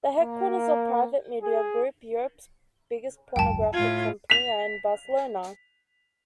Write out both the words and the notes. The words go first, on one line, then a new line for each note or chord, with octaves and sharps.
The headquarters of Private Media Group, Europe's biggest pornographic company, are in Barcelona.
A#3
G#4
G#1 C#2 F#2 G5 A5
A2 F4 G#6
B6 F7